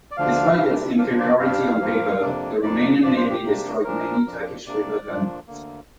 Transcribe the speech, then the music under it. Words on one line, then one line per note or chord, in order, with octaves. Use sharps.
Despite its inferiority on paper, the Romanian Navy destroyed many Turkish river gunboats.
D5
D2 D3 F3 D4 F5
C3 G3 D4
A#2 F3 A#3 D4 F5
D5
G2 G3 D4 F5
G2 F3 A#3
F2 C3 A#3 D4
F2 F3 A#3 D4 D5
G2 F3 D4 D5
C5
G4
C3 A#3 D4
A#2 F3 D4 A#4
F2 F3 D4
C3 A#3 D4 D5
A#2 F3 D4
D2 D3 A#3